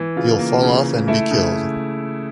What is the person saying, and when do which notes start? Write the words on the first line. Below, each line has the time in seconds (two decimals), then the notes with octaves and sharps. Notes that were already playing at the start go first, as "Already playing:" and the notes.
You’ll fall off and be killed.
Already playing: E3
0.16 C#3 F4
0.39 A#3
0.62 C#3
0.85 C#3
1.07 A3 E4
1.31 C#3